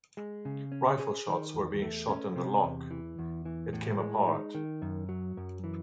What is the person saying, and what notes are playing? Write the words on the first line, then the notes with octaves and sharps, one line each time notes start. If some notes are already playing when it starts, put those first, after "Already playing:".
Rifle shots were being shot in the lock: it came apart.
G#3
C#3
C#4
G#4
D#3
E2
A3
C#4
C3
E2
E3
E2
E3
A2
G#3
D#4
D#3
F#2
F#3
F#2
E3